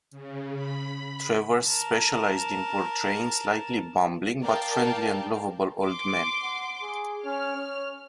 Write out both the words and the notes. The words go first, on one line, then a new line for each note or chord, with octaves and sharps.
Travers specialized in portraying slightly bumbling but friendly and lovable old men.
C#3
B5
A#4 A5
A#4 D5 F5 G5 A5
C6 D6
F#5
G#4
C#4 F6
C#5